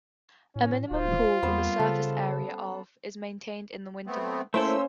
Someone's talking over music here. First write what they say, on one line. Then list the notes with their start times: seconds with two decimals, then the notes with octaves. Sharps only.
A minimum pool with a surface area of is maintained in the winter months.
0.56 A2 C#4
0.91 D1 F4 F#4 C5
1.43 E2 G3 A#3 B3 C#4 C5
1.79 C#3 A4 E5 B5 F6
4.07 A3 B3 C4
4.54 A3 A#3 C#4 E4 A4 C5 E6